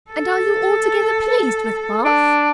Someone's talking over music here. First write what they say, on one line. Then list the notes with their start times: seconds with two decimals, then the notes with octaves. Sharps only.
"And are you altogether pleased with Bath?"
0.11 A4
2.05 D4